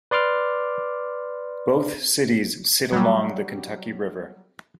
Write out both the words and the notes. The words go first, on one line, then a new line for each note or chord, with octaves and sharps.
Both cities sit along the Kentucky River.
B4 D5 C6 D6 F6
F#3 G3